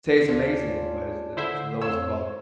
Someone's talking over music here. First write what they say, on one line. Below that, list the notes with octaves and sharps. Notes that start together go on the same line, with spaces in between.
tastes amazing, but it's the it's the lowest quality.
D#2 C#4 D4 F4
D3 E4 C5 E5
F2 C5 C#5 F5 E6